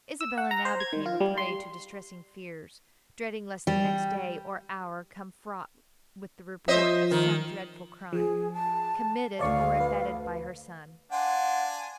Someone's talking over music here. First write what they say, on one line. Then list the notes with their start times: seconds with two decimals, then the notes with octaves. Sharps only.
Isabella now became a prey to distressing fears, dreading lest the next day or hour come fraught with the report of some dreadful crime, committed or abetted by her son.
0.21 E6
0.38 F#5
0.51 A#5
0.65 C5
0.80 G#6
0.93 D#3
1.06 F4
1.20 G3
1.38 C6
3.67 G3
6.68 F3 C5 D#5 E5
7.11 D#3
8.13 F3 G#4
8.53 A5
9.39 D2 C#5 D5 F5 C#6
9.80 B4
11.12 D4 F5 F#5 G#5 C6